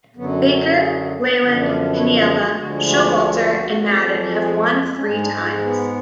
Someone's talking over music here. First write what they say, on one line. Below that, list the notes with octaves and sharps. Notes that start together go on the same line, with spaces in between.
Baker, Leyland, Piniella, Showalter and Maddon have won three times.
F#2 D3 F#3 B3
C#4
G#4
F#2 D3 F3 F#5
D5
F5
B4
C#5
F4
F#4
D2 D3 F3 G#3 F#4
F#4
D4
F4
F#4
F2 F3 G#3
G#4
G#4
F4
C#4
G#2 G#3 D4
D4
F4
B3